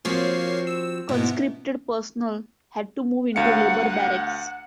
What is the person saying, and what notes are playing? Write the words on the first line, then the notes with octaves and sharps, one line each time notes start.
Conscripted personnel had to move into labour barracks.
F3 A#3 C4 F#4 C#5 C7
E6
G#2 B2 B3 E4
D2 F5 F#5 C#7